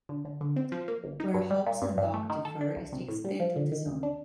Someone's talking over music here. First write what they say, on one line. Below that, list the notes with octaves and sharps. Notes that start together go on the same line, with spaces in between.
Where Hobbes and Locke differ is the extent of the zone.
D3
D3
D3
C4
F3
A#3
G1
D#4
G2
G3
A#2
G2
G2
A3
D#3
A4
D4
C2
C3
A2
G3
F3
D3
D#3
D2
D4